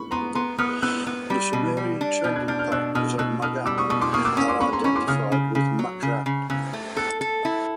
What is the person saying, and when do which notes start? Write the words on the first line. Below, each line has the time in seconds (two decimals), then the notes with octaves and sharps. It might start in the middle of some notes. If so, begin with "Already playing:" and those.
The Sumerian trading partners of Magan are identified with Makran.
Already playing: B5 C#6
0.11 B3 A#5 C6
0.35 B3 A#5 C6
0.58 B3 D#6 F6
0.82 B3 E6 F#6
1.06 B3
1.30 G3
1.53 B2
1.77 G3
2.01 D4
2.24 B2 F6 G6
2.36 F#6 G#6
2.48 D4 F6 G6
2.59 F6 G6
2.72 B2 E6 F#6
2.95 B2 D#6 F6
3.18 B2 E6 F#6
3.42 B2 D#6 F6
3.66 G3 D6 E6
3.78 C#6 D#6
3.89 B2 C#6 D#6
4.01 C6 D6
4.13 A#3 C#6 D#6
4.25 D6 E6
4.37 C#4 C#6 D#6
4.48 C6 D6
4.60 C#4 B5 C#6
4.72 A#5 C6
4.84 C#4 B5 C#6
4.96 C6 D6
5.08 C#3 D#6 F6
5.32 C#3
5.55 C#3
5.79 F#3
6.02 C#3
6.26 C#3
6.50 C#3 E6 F#6
6.73 A3
6.97 A4 E6 F#6
7.21 A4
7.45 E4